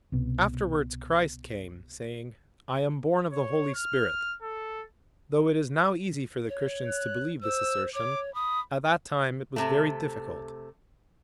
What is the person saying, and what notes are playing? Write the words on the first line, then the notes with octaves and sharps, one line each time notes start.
Afterward Christ came, saying, "I am born of the Holy Spirit." Though it is now easy for the Christians to believe this assertion, at that time it was very difficult.
C2 B2
C#5
F6
A4
C#5
F#6
C5 E6
C#5 D6
B5 D#6
C3 A3